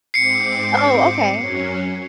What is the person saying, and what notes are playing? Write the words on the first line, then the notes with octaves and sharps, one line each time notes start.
Oh, okay.
G#2 C4 D6 C7 C#7
F#2 F#3 C#4